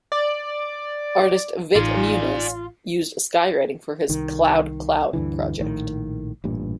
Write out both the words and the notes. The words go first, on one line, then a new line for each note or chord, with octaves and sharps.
Artist Vik Muniz used skywriting for his "cloud cloud" project.
D5
A1 D#4 F4 D5 G#5
C2 D#3
D2 G2 D3 E3
A#1 A2 D#3
A1 G2 A#2